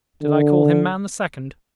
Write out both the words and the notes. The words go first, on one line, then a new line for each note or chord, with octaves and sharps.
Did I call him man the second?
D3